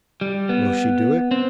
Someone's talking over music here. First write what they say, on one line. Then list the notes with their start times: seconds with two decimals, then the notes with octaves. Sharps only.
Will she do it?
0.21 G3
0.49 B3
1.31 C4